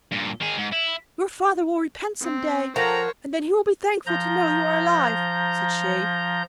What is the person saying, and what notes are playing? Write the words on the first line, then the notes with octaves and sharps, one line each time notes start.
'Your father will repent some day, and then he will be thankful to know you are alive,' said she.
G2 A#2
D#3 G#4
G#2
E4
C4
F3 A4 A#4 C5 C#5 F#5 G5 A#5
F3 A#5 G6